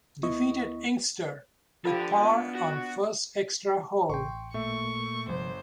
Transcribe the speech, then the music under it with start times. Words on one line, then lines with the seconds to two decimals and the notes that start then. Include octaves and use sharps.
Defeated Inkster with par on first extra hole.
0.23 D2 B3 E4 D#5 C#6
1.85 F3 F4 G4 A4 D5 F5
2.20 B3 D4
2.55 F#4
4.10 A1 G5 C6 C#6
4.54 A#2 A3 E5 C#6
5.29 G1 C3 F3 G#3 C5